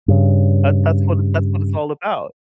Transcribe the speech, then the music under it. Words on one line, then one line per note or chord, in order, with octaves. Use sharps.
That that's how that's what it's all about
G2 C#3